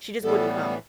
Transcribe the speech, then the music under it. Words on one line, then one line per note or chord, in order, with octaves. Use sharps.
She just wouldn't come.
A2 E3 G3 B3 A4